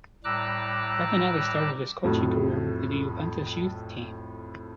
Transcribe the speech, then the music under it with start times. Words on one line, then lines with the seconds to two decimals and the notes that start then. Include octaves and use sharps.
Ravanelli started his coaching career with the Juventus youth team.
0.24 A2 G3 A#5 D6 E6 F#6
2.04 F2 A2 F#3